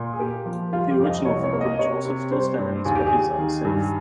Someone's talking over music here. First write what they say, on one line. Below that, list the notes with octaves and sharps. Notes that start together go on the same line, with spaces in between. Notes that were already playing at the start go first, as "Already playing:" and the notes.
The original footbridge also still stands but is unsafe.
Already playing: A#2
G#4
A#3 G4
F3
G3 F4
G4
F2
F5
D#5
C2 C#5
C#5
A#3
D#5
C3 C#5
C3
G3 C5
G2
D#2 G#4
G4
G#4
D#2
D#3
G2